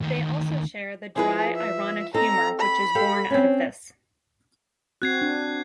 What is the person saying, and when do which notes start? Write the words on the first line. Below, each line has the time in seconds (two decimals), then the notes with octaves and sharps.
They also share the dry ironic humour which is borne out of this.
0.01 D2 D#3
1.16 F3 E4 G#4 B4
1.56 E5
2.14 C4 D#4 A4 A#5
2.60 B5
2.95 G4 A4 F5
3.30 C4 C#4
5.02 C4 F#4 F#6 G#6 C7
5.22 D4